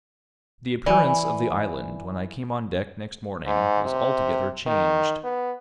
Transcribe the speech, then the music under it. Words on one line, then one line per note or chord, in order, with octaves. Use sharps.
THE appearance of the island when I came on deck next morning was altogether changed.
E3 D5 G#5
G#2
C3
D#3
B3